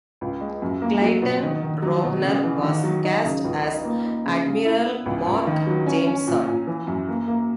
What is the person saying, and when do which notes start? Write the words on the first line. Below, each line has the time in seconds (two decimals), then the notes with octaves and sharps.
Clayton Rohner was cast as Admiral Mark Jameson.
0.21 C#2
0.41 G#3
0.62 F#2
0.82 A#3
1.02 F#3
1.22 B2
1.43 D#3
1.63 D#3
1.82 F#3
2.04 B2
2.23 C#3
2.44 E3
2.63 D#3
2.84 F#3
3.05 D#4
3.24 C#3
3.44 C#2
3.65 D#4
3.85 A#3
4.04 D#4
4.26 C#3
4.46 C#3
4.65 E4
4.86 B3
5.06 C#2
5.27 C#2
5.47 D#3
5.67 F#3
5.86 C#4
6.07 C#4
6.27 A#2
6.48 A#2
6.67 E3
6.87 F#2
7.08 A#3
7.28 A#3